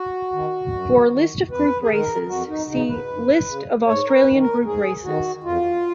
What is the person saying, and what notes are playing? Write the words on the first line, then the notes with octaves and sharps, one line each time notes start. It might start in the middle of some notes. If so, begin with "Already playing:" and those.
For a list of Group races see List of Australian Group races.
Already playing: F#4
D#3
F#2
D#3
F2 B4
G#4
D#3 A#4
F2 F#4
D#4
C#3 D#4
B4
F#2
C#3
G#2 C#5
A#4
B4
D#3
A#4
G#2 G#4
D#3 F#4
F2 F4